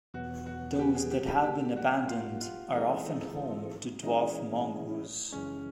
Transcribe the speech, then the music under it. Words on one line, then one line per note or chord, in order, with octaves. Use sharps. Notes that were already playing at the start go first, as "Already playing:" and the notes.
Those that have been abandoned are often home to dwarf mongoose.
E2 B2 F#3 B3 F#4
F#4
G4
G#4
G4
G4
A#2 F#3 A#3 G4
F#4
F4
F4
E3 G#3 C4 D#4 F4 A4
D#4
E3 G#3 C#4 D#4 E4
F#2 C#3 E3 G#3 C#4